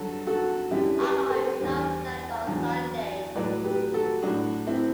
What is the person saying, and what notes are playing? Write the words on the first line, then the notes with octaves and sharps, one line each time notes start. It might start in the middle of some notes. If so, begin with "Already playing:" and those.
Alcohol is not served on Sunday.
Already playing: G2 D3 F#3 F#4 A4
F#4 A4
F#2 D3 G3 E4 G4
G4 B4
A4 C5
E2 D3 G3
E2 D3 F#3
A2 F#3 B4 D5
G4 B4
F#4 A4
A2 F#3 D4 F#4
C4 E4